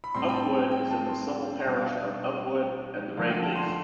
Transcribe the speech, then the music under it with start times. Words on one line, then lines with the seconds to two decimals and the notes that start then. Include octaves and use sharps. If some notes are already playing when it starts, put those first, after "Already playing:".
Upwood is in the civil parish of "Upwood and The Raveleys".
0.04 B5
0.15 A2 G3 C4 C6
0.29 G5
0.34 A5
0.52 G5
0.71 G5
0.91 A5
1.09 C6
1.66 B2 G3 D4 A5
1.76 F5
1.86 E5
1.95 D5
2.04 G4
3.17 D3 F3 A3 F5
3.30 G5
3.43 A5
3.56 C6
3.68 C6